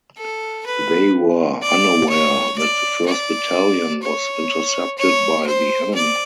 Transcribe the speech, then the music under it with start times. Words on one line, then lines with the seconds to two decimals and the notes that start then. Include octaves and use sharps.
They were unaware that the first battalion was intercepted by the enemy.
0.17 A4
0.66 B4
1.62 D5
2.10 C#5
2.58 D5
3.06 D5
4.03 C#5
4.98 C#5
5.47 C5
5.95 D5